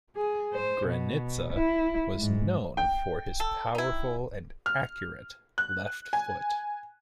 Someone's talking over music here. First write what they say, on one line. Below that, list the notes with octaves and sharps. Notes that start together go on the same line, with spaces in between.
Granitza was known for his powerful and accurate left foot.
G#4
C5
B2
E4
G#2
G5
A4
D#4 E4
F6
F#6
G#5